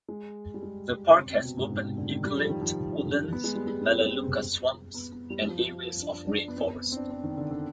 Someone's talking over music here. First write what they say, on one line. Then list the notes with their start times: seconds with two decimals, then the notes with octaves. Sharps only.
The park has open eucalypt woodlands, melaleuca swamps and areas of rainforest.
0.09 G#3
0.54 G3
0.63 G#3
1.08 D3
1.17 C3
1.30 C3
1.44 B2
1.57 G#2
1.71 G#2
1.84 C3
1.97 D3
2.11 D#3
2.24 G3
2.37 F3
2.49 D#3
2.62 F3
3.32 B3
3.44 G#3
3.55 G3
3.67 G#3
3.86 C4
4.94 B3
5.12 B3
5.30 G3
5.48 F3
6.02 D4
6.27 D4
6.48 B3
6.56 C4
6.70 B3
6.92 C4
6.96 D4
7.10 C4
7.24 D#3
7.37 D3
7.51 D3